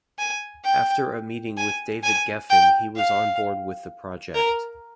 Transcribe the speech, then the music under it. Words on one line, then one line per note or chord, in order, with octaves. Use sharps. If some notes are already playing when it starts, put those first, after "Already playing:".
After a meeting with David Geffen he was on board with the project.
G#5
G5
G#5
G#5
G5
F5
A#4